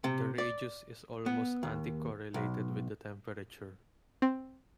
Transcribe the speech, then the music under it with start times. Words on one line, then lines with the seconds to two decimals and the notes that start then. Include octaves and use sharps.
The radius is almost anti-correlated with the temperature.
0.04 C3
0.38 D5
1.26 B3
1.63 D#2
2.34 B1
4.22 C4